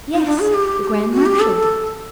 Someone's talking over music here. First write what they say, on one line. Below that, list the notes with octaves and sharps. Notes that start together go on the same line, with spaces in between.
"Yes; the grand marshal did."
D#4
D4
G#4
G4
G4
F#4
G4
A4